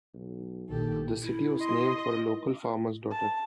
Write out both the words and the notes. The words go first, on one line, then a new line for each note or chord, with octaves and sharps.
The city was named for a local farmer's daughter.
B1
A#1 D#3 G4 A4
E4
D#5 C6
A5